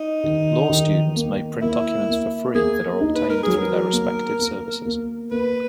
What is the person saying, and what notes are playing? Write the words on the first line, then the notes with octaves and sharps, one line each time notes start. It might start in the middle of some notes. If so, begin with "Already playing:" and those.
Law students may print documents for free that are obtained through their respective services.
Already playing: D#4
D#3
D#3
A#3
A#3 E4
A#3
A#3 G#4
D#4
B4
A#4
F#3 G#4
A#4
A#3
A#3
A#3
A#3 B4